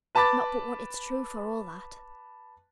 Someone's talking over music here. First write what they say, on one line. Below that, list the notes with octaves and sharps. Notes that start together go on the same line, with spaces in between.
Not but what it's true for all that.'
B4 A5 B5 D6 A6